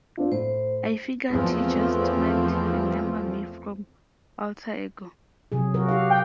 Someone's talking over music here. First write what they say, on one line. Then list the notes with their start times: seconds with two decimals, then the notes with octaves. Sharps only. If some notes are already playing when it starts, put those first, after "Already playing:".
I figured he just might remember me from "Alter Ego".
0.17 C4 D4 F4
0.32 A2 C5
1.31 E2 F3 A3 C4
5.52 C3 F#3 G#4
5.74 F#3 F#4 A#4
5.89 G4 F5
6.10 G5